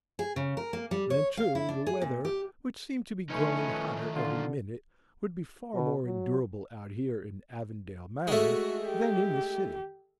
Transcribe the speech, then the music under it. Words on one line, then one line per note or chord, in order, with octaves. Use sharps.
Then, too, the weather, which seemed to be growing hotter every minute, would be far more endurable out here in Avondale Manor than in the city.
G#4
C#3
A#4
A#3
G3
C#5
F5
E4
D4
G#4
A#2
G4
D#3 F3 A3 C#4 D#4 B4
D3 F4
B2
F#3
G#3 A3 F#4
G4